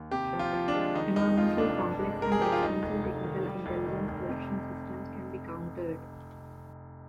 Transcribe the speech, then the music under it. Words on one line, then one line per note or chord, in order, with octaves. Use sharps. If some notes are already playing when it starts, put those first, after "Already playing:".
Enormously complex and expensive technical intelligence collection systems can be countered.
Already playing: D#2
C3 G4
F3
F4
F3
D4
G#3
D#3 D#4
F2 D#4
F2 F4
F1 D4
G2
G#3
G#3 A#4
G#4
F3 G4
F4
F1 D#4
F1
F1
D#3
G3
F1
D#3
F1
C3